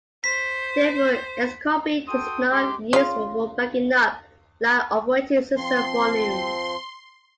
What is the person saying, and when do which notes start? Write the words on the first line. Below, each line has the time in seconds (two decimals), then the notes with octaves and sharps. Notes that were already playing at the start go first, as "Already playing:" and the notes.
Therefore, Xcopy is not useful for backing up live operating system volumes.
0.24 C5 B6
2.08 F#4 A4 G5 C6 D#6
2.51 G#3 G4 G5 C6 D6
2.93 C#3 F4 F5
5.55 F3 C4 C6